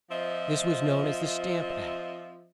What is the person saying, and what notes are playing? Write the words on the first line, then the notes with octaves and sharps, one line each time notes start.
This was known as the Stamp Act.
F3 C4 F4 D#5 E5